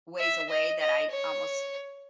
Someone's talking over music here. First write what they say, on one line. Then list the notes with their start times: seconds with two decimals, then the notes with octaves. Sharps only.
ways away that I almost
0.19 E5
0.49 D#5
0.80 D#5
1.12 C#5